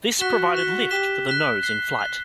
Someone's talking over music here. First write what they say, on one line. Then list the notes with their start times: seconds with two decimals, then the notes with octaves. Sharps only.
This provided lift for the nose in flight.
0.18 F#4 F#6 B6 E7 G7
0.54 F#6 B6 E7 G7
0.90 G4 F#6 B6 E7 G7
1.26 F#6 B6 E7 G7
1.63 F#6 C7 G7
1.99 F#6 C7 G7